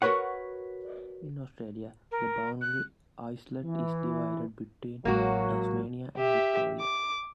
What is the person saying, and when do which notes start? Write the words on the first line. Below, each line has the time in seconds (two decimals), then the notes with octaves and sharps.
In Australia, the Boundary Islet is divided between Tasmania and Victoria.
0.02 F#4 A#4 B4 C#5 F#5
2.11 A#4
2.61 F#6
3.62 E3
5.05 A1 F#3 G#3 A#3 F#4
6.17 G4 E5
6.80 D6